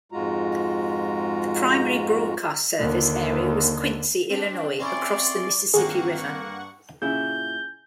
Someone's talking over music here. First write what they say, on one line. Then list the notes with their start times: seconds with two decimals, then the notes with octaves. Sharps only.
The primary broadcast service area was Quincy, Illinois, across the Mississippi River.
0.12 F2 G#2 G#3 F4 F#4 A#5
2.79 D#2 D3
4.30 C4 D4
4.79 C4 C#4 E4 D5 C6
5.74 G2 D#3 A#3 C4 G#4 F#5 C#6
7.02 A#2 C#3 E4 G6